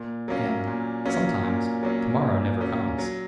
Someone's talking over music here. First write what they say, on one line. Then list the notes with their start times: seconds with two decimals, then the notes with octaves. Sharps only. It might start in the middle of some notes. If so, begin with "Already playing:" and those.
And--sometimes--to-morrow never comes.
Already playing: A#2
0.28 F#3 A#3 C#4
0.67 A#2
1.05 F#3 A#3 C#4
1.44 A#2
1.83 F#3 A#3 C#4
2.22 A#2
2.61 F#3 A#3 C#4
2.99 F#3